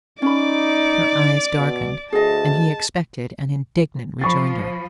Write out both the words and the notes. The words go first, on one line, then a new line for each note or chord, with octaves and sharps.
Her eyes darkened, and he expected an indignant rejoinder.
C#4 D#4 D5 B5 D6
B2
D2 G#4 D#5 A5
F3 B5 C#6 A6